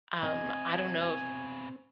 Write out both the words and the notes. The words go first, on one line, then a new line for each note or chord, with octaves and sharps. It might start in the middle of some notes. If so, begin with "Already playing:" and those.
Um, I don't know if
B2 C4 G#4 D#5 G#5